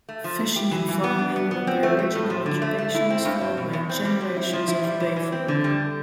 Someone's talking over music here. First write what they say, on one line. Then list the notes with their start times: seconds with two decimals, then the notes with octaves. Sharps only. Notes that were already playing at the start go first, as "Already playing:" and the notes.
Fishing and farming were the original occupations followed by generations of Bay folk.
0.09 A3
0.24 F3
0.40 E4
0.56 G4
0.71 E3
0.88 E3
1.04 B3
1.19 D4
1.36 B3
1.51 B3
1.67 C4
1.83 A3
1.99 A3
2.15 A2
2.30 F3
2.46 D3
2.62 A3
2.78 A3
2.95 E4
3.10 C4
3.25 G2
3.41 C4
3.57 B2
3.73 E2
3.89 C4
4.05 G3
4.21 C4
4.36 E4
4.53 F3
4.68 E4
4.84 G3
5.00 E3
5.16 E3
5.32 C4
5.48 D3
5.64 G3